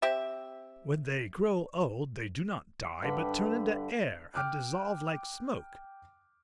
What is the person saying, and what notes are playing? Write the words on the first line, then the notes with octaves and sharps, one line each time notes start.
When they grow old they do not die, but turn into air, and dissolve like smoke!
C4 G4 E5
G2 D3 B4
G5 D6 F6 F#6